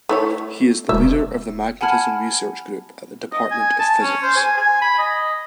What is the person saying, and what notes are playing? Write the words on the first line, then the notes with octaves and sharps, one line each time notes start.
He is the leader of the magnetism research group at the Department of Physics.
A3 E4 C#5
E1 E5
F#5 G#5 A5 B5 F6 G#6
D#5
G#5
A5
C#4
C5
G#5
G#5
B5
D#5